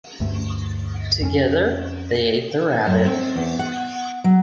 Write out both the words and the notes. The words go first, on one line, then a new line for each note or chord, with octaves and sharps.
Together they ate the rabbit.
D2 G2 A3
F2 C4 C#4
F#2
C4
E2
F#5
F#3